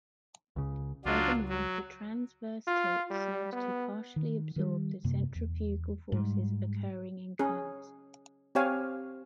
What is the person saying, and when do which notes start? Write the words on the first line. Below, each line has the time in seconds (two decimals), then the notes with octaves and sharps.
Furthermore, the transverse tilt serves to partially absorb the centrifugal forces occurring in curves.
0.56 C#2 C#3
1.05 C#2 F#3 D4 F4
1.49 F#3
2.67 F4
3.11 G3
3.52 B3
4.16 D#3
4.56 D#3 G3
5.04 F#2 C3 A#3
5.35 E2
6.12 G#2 G3
7.39 C#4 G#4
8.55 C4 G4 C#5 F5 G#5